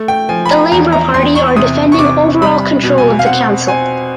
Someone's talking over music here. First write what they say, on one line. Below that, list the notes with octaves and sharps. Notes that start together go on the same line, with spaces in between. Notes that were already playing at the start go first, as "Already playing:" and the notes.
The Labour Party are defending overall control of the council.
Already playing: A3
G5
F3 G#5
B5
A#5
E2 A#5
A#5
E2 C6
C#6
C3 D#6
C#6
C3 D6
G3 B5
B2
G#5
F5
C4 F#5
C4 G#5